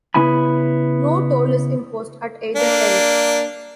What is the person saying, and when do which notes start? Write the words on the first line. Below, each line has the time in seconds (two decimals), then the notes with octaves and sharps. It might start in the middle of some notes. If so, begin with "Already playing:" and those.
No toll is imposed at either end.
0.14 C#3 B3 E4 G#5 B5
2.56 A#3 D4